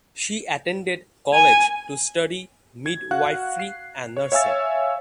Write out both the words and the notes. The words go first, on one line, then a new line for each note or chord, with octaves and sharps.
She attended college to study midwifery and nursing.
G#5
G#6
F#4 F5 F#5 F#6
C7
C#5
C#5 E5 F5 G#5 E6 A6